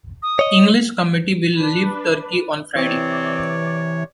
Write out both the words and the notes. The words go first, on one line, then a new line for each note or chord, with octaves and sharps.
English committee will leave Turkey on Friday.
D#6
C#5 D#5
D4 B4
C3 E3 C4 C#5 D5